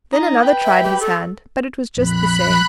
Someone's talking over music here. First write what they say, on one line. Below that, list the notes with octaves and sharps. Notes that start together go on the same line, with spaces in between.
Then another tried his hand; but it was just the same.
D#4 A#5
B4 G5
E5
G4
A4
A#1 F2 B5 F#6